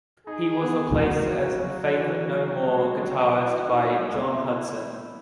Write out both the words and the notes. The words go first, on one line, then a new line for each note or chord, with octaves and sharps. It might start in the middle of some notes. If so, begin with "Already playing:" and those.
He was replaced as Faith No More guitarist by Jon Hudson.
D#4 G#4
B3
A#3 F#4
B3
A#3
F#3
F#3 F#4
E3
F#3
G#3
G#3
F#3
E4
E4
D#4
G#3
F#3
G#3
B3
E4